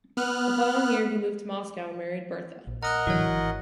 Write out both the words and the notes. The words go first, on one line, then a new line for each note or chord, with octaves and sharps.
The following year, he moved to Moscow and married Bertha.
B3 F6 F#6
A#1
A#4 D#5 F#5 A#5 D#6 F#6
A2 D3 E3 F#3 F#4 C#5
G#1